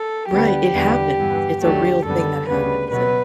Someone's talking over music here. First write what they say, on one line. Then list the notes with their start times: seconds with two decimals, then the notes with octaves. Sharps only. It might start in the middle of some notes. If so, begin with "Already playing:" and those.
Right, it happen. It's a real thing that happens. And,
Already playing: A4
0.31 D2 D3 G3 B3 G4
0.74 E2 D3 G3 B3
1.18 G2 E3 B3
1.61 D2 D3 F#3 A3 G4
2.05 F#2 D3 G3 B3 A4
2.48 D2 C#3 G3 B3 B4
2.91 B2 F#3 B3 B4